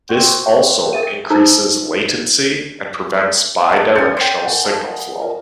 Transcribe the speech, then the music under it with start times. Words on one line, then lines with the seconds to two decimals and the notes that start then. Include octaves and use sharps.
This also increases latency and prevents bidirectional signal flow.
0.09 C4 F#4 G5
0.93 A#4 E5 D#7
1.30 D#4 G#4 A4 C5 A#5 E6
3.73 D#4 A4
3.95 C#4 G#5 G6 A6 C#7
4.17 C5 C#5 G5
4.45 F4 A#4 F#5 G#5
4.65 F3 A3 D#5
5.20 F4 A#4